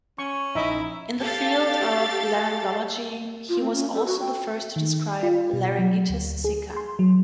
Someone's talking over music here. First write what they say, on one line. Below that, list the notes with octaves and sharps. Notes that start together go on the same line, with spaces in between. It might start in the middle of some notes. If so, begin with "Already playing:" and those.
In the field of laryngology, he was also the first to describe “laryngitis sicca”.
C#4 C#6
A#1 D#4 E4 D#5 E5
G4 A4 F5 A6
F4
C4
C#4
A4
F#4
G5
D#3
F4
B2
F#3
D2
G#4
C6
F#3